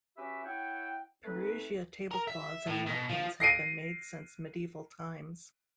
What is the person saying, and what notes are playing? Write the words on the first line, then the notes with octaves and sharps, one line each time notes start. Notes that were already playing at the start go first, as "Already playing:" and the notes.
Perugia tablecloths and napkins have been made since medieval times.
C#4 F#4 G4 B4 E5
E4 C#5 E5 F#5 G5
A3 C4 D#4 B4
A#4
E5
A2
B2
F3
A#6 C7 D7 D#7